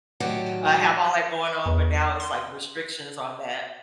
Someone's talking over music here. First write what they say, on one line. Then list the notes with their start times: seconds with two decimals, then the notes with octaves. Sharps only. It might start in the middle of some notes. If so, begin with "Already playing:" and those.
uh, have all that going on, but now it's, like, restrictions on that.
0.20 A2 D#3 F#3 G4 D5 F#5
1.66 E2
2.20 C6